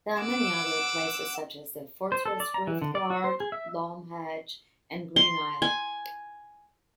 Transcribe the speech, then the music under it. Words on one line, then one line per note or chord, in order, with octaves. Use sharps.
There are many other places, such as the fortress Riftgard, Loamhedge, and Green Isle.
F#5 D6 E6
C5
A4
D5
A#5
E3
D3
D5
F#4
C5
G#4
E5
C6
G#5